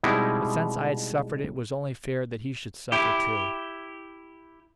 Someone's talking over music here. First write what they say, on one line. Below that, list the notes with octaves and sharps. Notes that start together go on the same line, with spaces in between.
But since I had suffered it was only fair that he should suffer too.
B2 G3 G#3 C4 D#4 E4
E4 G4